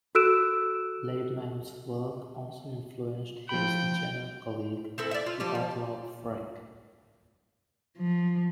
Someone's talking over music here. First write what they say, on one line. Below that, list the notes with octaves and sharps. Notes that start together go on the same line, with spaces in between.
Liebmann's work also influenced his Jena colleague Gottlob Frege.
F#4 A4 E6 F#6 D7 E7
F3 G5 B5
C4 E4 A4
D5 E5
F4
F3 G3 G4
F3
F3